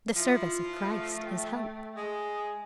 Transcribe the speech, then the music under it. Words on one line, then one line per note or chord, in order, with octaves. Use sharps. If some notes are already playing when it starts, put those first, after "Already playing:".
The service of Christ is help.
F3 E4 F4
A3
G5
G#3 D#6